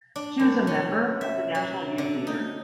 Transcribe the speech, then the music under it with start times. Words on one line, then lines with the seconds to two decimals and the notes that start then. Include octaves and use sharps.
She was a member of the National Youth Theatre.
0.16 D4
0.39 F#2
0.67 C#4
1.21 E5
1.55 F#3
1.98 D3
2.27 D#4